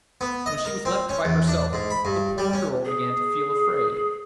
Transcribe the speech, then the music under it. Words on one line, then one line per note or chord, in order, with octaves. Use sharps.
When she was left by herself the poor girl began to feel afraid.
B3
D#5
A#4
C4
C#4
E2
D4
G#2
B5
G2
G3
C#4
G#4